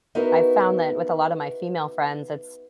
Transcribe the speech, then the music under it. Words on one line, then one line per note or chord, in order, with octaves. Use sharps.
I've found that with a lot of my female friends, it's
B3 D#4 E4 F#4 A#4 B4